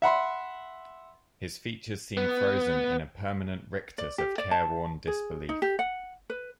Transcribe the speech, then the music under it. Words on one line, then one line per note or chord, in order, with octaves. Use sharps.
His features seem frozen in a permanent rictus of careworn disbelief.
E5 F#5 B5 C6
B3
D5
G4
D5
A5
G#4
D#4
G4
F#5
B4